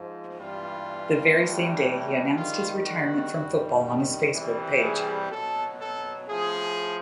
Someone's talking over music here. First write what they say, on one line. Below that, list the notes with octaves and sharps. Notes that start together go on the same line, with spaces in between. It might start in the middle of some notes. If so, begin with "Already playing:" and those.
The very same day he announced his retirement from football on his Facebook page.
Already playing: G#2 F3
G2 E3 G3 F4
A2 E3 G3
G#2 D#3 G3 F4
F#4
F#2 D#3 G3
C3 E3 G3
G#4
B2 F#3 A4
A4
A2 F3 G#4